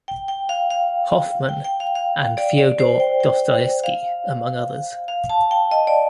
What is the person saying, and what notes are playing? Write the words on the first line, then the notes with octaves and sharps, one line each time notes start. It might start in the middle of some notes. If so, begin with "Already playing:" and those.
Hoffmann, and Fyodor Dostoevsky, among others.
G5
G5
F5
F5
G5
G5
F5
F5
D5
D5
C5
G5
G5
F5
F5
A5
G5
D#5
D5